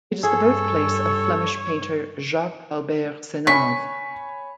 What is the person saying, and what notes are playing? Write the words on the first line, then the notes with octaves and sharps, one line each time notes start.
It is the birthplace of Flemish painter Jacques-Albert Senave.
G2 G#4 A4 C#5
C#5 G#5 B5 C#6 B6